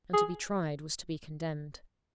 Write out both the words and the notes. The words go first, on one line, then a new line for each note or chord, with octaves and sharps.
And to be tried was to be condemned.
G#4